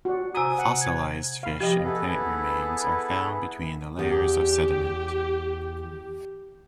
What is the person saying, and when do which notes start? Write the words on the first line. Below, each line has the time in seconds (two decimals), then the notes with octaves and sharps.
Fossilised fish and plant remains are found between the layers of sediment.
0.05 F#4 D5
0.35 C3 G#5 A#5 D#6
0.58 F#5
0.81 G#6
1.43 F5 B5
1.61 F3 G4 D#5
1.83 B3 E4 G#4 A4 B4
3.99 E2 G4